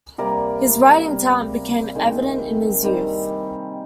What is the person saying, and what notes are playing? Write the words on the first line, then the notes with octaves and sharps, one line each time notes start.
His writing talent became evident in his youth.
C3 G3 A#3 A#4 D5
C3 G3 A#3
D#3 G3 C4 G#4 C5
D#3 G3 C4